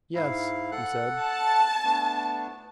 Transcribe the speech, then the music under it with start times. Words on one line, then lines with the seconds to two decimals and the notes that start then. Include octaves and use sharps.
"Yes," he said.
0.15 G#2 E4 F5
0.72 A4 F#5 F#6
1.23 A5
1.84 A3 B3 D4